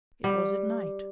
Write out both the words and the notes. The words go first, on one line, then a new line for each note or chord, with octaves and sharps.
It was at night.
G3